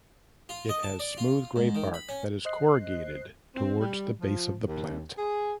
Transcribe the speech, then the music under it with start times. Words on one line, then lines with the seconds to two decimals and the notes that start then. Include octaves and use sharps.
It has smooth grey bark that is corrugated towards the base of the plant.
0.49 F4
0.69 D#5
0.83 A5
1.00 D5
1.18 F4
1.56 G#2
1.75 D#3
1.94 B5
2.09 C#4
2.45 C5 D#5 F#6 C7
3.56 C4
3.81 G3
4.20 F3
4.67 D#2
5.18 G#4